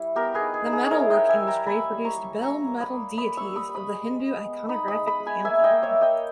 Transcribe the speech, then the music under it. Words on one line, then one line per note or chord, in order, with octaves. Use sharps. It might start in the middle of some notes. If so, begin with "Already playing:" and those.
The metal work industry produced bell metal deities of the Hindu iconographic pantheon.
Already playing: G3 E4
B3 G4 A#4
G#4 B4
D#4
G#4
D#4
G#4
E4 A#4 C#5
D#5 G5
E4
E5 G#5
G3
G5 A#5
A#3 G#5 B5
G3
A#5 C#6
G3
A#3 A#5 C#6
A#3
B5 D#6
A#3
A#3 B5 D#6
C#6 E6
G3
B5 D#6
G3
B5 D#6
G#3
G#3
B3
D#4 B5 D#6
B5 D#6
G#3
B5 D#6
G#3
G#5 B5
A#3 E5 G#5
D#5 G5
A#3
C#5 E5
A#3
D#5 G5